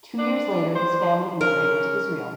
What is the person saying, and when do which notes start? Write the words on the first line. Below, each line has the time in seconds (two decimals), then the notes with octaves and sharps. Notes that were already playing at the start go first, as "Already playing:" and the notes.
Two years later his family immigrated to Israel.
0.19 D4
0.75 C5
1.41 C#4 A#4